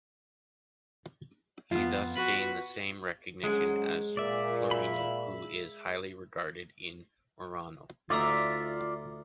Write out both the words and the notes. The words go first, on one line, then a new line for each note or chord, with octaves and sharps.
He thus gained the same recognition as Florino, who is highly regarded in Murano.
F2 B3 F4
F#4 B4
G#2 F#3 G#3 C#4
A#2 D5 E5
E5 B5
D2 D#4 F4 D5 E5 A#5